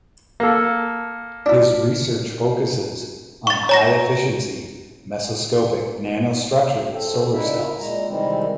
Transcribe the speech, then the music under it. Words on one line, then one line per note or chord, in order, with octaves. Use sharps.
His research focuses on high efficiency mesoscopic nanostructured solar cells.
A#3 A4
D4 E4
C#6 A6
C#5 A#5 A#6
C4 A4
A#2 C#3 D#4 E4 A#4 E5
A#2 G#3 A#5
C3 D#3 E3 G3 G#3 C4